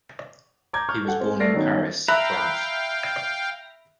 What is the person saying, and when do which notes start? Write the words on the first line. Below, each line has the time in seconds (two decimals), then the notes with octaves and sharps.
He was born in Paris, France.
0.73 A#5 D6 G6 G#6
0.89 C#6 F6 G6
1.05 A4 F#5
1.20 C4 C5
1.40 A3 D5 F6 A#6 C7 D7
1.54 D#3 F#3 B3 C#4 D#4
2.08 E5 F5 G5 A#5 B5 F#6